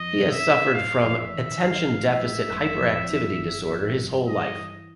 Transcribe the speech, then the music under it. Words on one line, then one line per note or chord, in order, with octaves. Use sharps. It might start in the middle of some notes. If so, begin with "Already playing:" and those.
He has suffered from Attention Deficit Hyperactivity Disorder his whole life.
Already playing: F2 D#5
C3
E5
F#3
F#1 F5
F2
E5
D#3
A#1 F5
A2
E5
G#3
F#1
F2
E3
G1
F2
G3
G2 D#5
E3